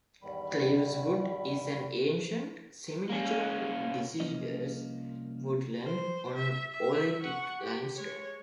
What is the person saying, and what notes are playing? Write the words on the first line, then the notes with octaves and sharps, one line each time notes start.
Cleaves Wood is an ancient, semi-natural deciduous woodland on oolitic limestone.
E2 G#2 D#3 G3 B5
A#3 C#4
C2 F3 A#3 C#4 D#5
C5
E5
E5
F#5 C#6
G4
G#3 C#5